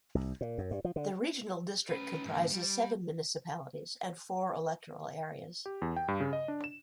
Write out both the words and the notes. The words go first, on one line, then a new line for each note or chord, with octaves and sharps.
The regional district comprises seven municipalities and four electoral areas.
C2
A#2
F#2
G2
F3
D3
C#4 B4
D#2 G#2
G3
G4
E2
G5
G2
C#3
D#5
D4
E7